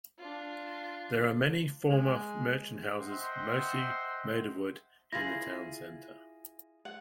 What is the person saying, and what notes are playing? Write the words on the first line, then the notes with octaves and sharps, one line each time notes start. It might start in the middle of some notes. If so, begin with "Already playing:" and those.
There are many former merchant houses, mostly made of wood, in the town center.
D4 F4
G#3
C5 D#5 E5 F#5 G5 C6
E4 F4 G#4 A#6
F#5